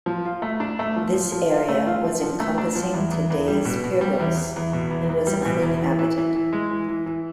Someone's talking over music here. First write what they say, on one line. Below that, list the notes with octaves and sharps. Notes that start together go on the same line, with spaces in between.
This area was encompassing today's Pyrgos and was uninhabited.
F3
F4
A3
D4
A3
F3
F3
F3
F4
A3
F4
F3
F3
A3
D4
F3
E2
E2
E2
G3
B2
B2
G3
E2
E2
E2
B2
E2
E2
G3
B2
E2
E3
E3
E3
E3
G#3
E3
E3
E3